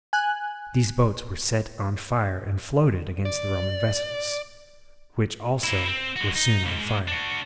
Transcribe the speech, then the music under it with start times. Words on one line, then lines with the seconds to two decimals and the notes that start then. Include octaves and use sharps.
These boats were set on fire and floated against the Roman vessels, which also were soon on fire.
0.13 G#5 F#6
3.25 D5
5.64 A#3 E4
5.87 C4
6.16 G#3 F#4
6.36 D#4
6.66 C#2 G#2
7.08 D4 F#4